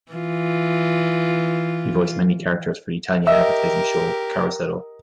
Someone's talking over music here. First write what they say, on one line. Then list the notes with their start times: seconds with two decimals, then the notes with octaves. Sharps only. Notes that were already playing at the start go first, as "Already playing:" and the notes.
He voiced many characters for the Italian advertising show "Carosello".
0.12 E3 F4
3.27 G4 A#4 D#5 E5 E6